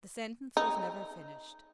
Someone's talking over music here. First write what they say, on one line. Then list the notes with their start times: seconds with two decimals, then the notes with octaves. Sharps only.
The sentence was never finished.
0.57 D#4